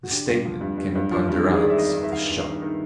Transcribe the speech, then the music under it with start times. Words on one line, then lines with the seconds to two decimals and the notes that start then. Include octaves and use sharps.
The statement came upon Durrance with a shock.
0.03 F#4
0.11 D3 G4
0.28 G2
0.45 F3
0.61 G2
0.78 G2
0.95 G2
1.11 F3
1.29 G2
1.44 D#3 G4
1.53 G#4
1.61 G#3 D5
1.70 E5
1.78 D#3 D#5
1.86 D5
1.95 D#3
2.03 E5
2.12 D#3 F5
2.28 G1
2.45 D#3
2.62 D#3